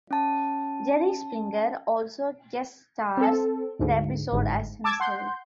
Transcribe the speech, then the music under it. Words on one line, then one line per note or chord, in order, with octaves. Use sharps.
Jerry Springer also guest stars in the episode as himself.
C#4 A5
C4 A4
D2 G#2
G1 G#2
A5 D6 E6 G#6
F#5 C6 G6